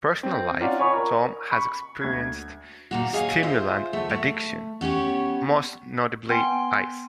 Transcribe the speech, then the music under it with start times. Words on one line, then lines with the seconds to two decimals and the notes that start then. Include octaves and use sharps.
Personal Life: Tom has experienced stimulant addiction, most notably 'Ice'.
0.23 C4
0.60 C#4 D#4 F4 D5 F#5
0.79 C#5 G#5 B5 C#6 D#6
0.94 A#4
1.51 B5 C#6
2.01 D2 G#6
2.91 A#2 A#3 F#4
3.13 G#4 C#5 D#5 F5 G#5
3.43 G#3 F4 C5 E5
3.93 D2 A3 E5
4.09 A3
4.81 B3 C#4 G4 C#5
6.29 B3 G5 G#5 C6